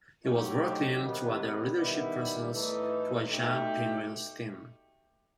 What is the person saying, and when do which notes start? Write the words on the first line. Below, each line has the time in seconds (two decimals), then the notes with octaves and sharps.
He was brought in to add a leadership presence to a young Penguins team.
0.25 F#3 A3 D#4 G4
1.01 C3 D#3 G3 B3
1.78 D#3 G3 B3 E4
2.54 A2 E3 A3 D#4
3.31 B2 A3 D#4 G4